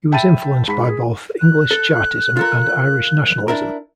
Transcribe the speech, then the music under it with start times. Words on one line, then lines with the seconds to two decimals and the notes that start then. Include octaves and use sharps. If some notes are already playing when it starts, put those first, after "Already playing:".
He was influenced by both English Chartism and Irish nationalism.
0.12 E5 G5 A5 B5 A6 D#7
0.68 G#2 B5 B6
0.89 G#4
1.40 F#6
1.71 A4
2.37 F4 A4 A#4
3.48 D4 E4 A#4